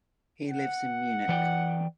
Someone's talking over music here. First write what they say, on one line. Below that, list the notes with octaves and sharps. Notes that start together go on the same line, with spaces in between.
He lives in Munich.
F#5
E3 D5 G5